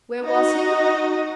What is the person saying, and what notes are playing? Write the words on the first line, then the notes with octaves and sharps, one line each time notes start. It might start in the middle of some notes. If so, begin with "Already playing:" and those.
Where was he?
D#4 F#4 D#5